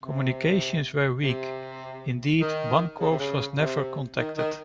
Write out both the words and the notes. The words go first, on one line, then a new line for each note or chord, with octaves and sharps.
Communications were weak, indeed, one corps was never contacted.
C3
C3
D#3
C#3
C3
C#3
C3
D#3
D#3